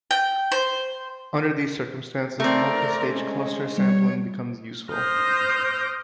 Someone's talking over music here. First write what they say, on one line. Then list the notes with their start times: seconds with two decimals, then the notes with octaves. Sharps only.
Under these circumstances, multistage cluster sampling becomes useful.
0.11 G5
0.52 C5
2.40 A3 C4 A#4 D5
3.13 G#3 C#4
3.78 G3 C#5
4.92 C5 D#6 F6 G6 A#6